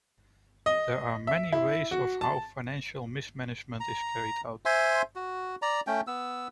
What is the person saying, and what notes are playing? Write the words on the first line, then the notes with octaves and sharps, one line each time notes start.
There are many ways of how financial mismanagement is carried out.
D#5
E5
E4
F#4
A5
A#5
C5 E5 G#5 C6
F#4
D5 A#5
A3 C#4 G5
B3 E6